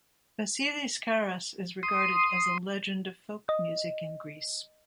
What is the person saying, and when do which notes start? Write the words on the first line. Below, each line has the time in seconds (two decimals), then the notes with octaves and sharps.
Vasilis Karras is regarded as a legend of folk music in Greece.
1.83 C6 D#6
3.49 D#5